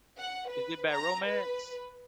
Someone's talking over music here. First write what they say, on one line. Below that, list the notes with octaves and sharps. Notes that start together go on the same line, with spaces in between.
is it Bad Romance?
F#5
B4
A#5
B4